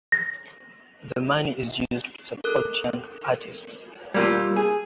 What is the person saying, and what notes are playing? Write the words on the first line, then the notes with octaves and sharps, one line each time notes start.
The money is used to support young artists.
A#6
A4 A#4 F#6
G3 A#3 F4 E6 G6 G#6
G#4